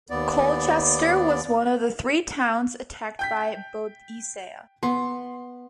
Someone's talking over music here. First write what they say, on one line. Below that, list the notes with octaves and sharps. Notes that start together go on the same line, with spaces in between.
Colchester was one of the three towns attacked by Boadicea.
D#2 B3 D5
G5 G6 B6
B3 C6